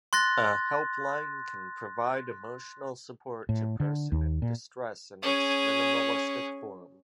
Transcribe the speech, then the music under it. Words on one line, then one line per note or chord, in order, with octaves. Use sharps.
A helpline can provide emotional support to person in distress in its minimalistic form.
C6 F#6 A6 A#6
A2
D3
D#2
A#2
C#4 G#4